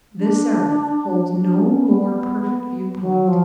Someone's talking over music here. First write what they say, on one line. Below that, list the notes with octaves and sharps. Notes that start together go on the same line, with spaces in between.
This earth holds no more perfect view-point.
D4
D4
C#4
B3
F#3
F3